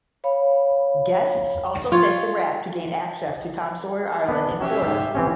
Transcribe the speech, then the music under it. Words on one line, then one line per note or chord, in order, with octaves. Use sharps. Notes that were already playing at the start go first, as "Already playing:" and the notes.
Guests also take the raft to gain access to Tom Sawyer Island in Florida.
C#5 F5 B5
F4 C#5
B3 D4
F#3 C#4 G4 E5
G#2
E3 C4 C#4